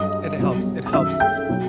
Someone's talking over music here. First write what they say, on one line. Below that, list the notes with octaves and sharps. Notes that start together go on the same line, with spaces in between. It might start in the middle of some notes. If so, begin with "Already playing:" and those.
it helps it helps
Already playing: G2 F#3 D#5 D#6
C2 B2 F#3
D#6
F#2 D#3 F#3 E5 E6
G5 G6
B2 F#3